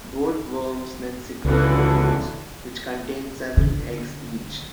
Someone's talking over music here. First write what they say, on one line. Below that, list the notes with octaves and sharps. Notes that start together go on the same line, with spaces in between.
Both worms then secrete cocoons which contain several eggs each.
C#2 D3 E3 F#4
D3